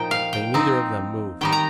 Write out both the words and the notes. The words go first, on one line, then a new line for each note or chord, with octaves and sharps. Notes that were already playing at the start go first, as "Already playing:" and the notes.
They neither of them moved.
Already playing: A#2 F3 D#4 G5
F5
G5
F3 C4 D#4
D#3 G3 D#4 G5
A#5